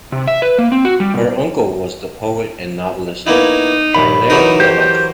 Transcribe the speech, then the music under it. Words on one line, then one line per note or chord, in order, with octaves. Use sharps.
Her uncle was the poet and novelist Hilaire Belloc.
C3
E5
B4
A#3
C4
F#4
G3
B2
A#3 B3 D#4 E4
A#1 D#2 B5
E3 F#3 D#4 A#4
G4 C5